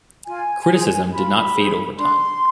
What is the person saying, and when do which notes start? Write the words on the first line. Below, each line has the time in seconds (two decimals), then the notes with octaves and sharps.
Criticism did not fade over time.
0.25 F4 G#5
0.68 G#4 C5
1.11 F4 B5
1.54 G#4 C5
1.97 D4 C6